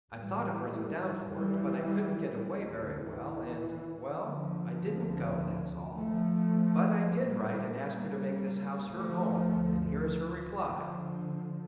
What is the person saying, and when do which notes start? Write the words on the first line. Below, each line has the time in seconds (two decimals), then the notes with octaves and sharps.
I thought of running down for it, but I couldn't get away very well, and--well, I didn't go, that's all. But I did write and ask her to make this house her home, and here is her reply.
0.12 A1 A2 E3 G3
1.29 E3 G3
2.47 D2 C3
2.75 D3
3.05 E3
4.22 D3 F3
4.81 D2 C3
5.97 F3 A3
7.13 A#1 A#2 G3 A#3
7.72 G3 A#3
8.89 F3 A3
9.47 D2 C3
10.65 D3 F3